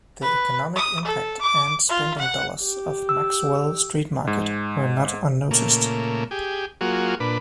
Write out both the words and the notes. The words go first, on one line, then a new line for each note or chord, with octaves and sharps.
The economic impact and spending dollars of Maxwell Street Market were not unnoticed.
B4
D#6
A4
D6
F4
F#5
G4
E6
G#2
A#2 C#3 A3 A#3
G4 G#4
F#3 A#3 F4 F#4 G#4
A#2 D4 B4